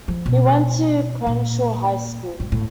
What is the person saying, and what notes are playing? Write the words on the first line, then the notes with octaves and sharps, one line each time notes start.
He went to Crenshaw High School.
F3
B2
A#2
G#2
A2